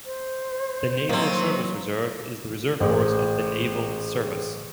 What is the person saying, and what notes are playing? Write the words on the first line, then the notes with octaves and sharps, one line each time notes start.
The Naval Service Reserve is the reserve force of the Naval Service.
C5
D#3 F#3 A#3 C4
A1 G#4 C5